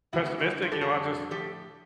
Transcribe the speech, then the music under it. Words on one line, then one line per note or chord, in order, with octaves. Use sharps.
pessimistic, you know, I just
C#3 E3 G#3 B3 E4 F#4
E4 F#4
E4 F#4
F2 D3 G3
F4
G4 A4
F#4 G#4
F2 D3 G3
A2 F3 G4 A4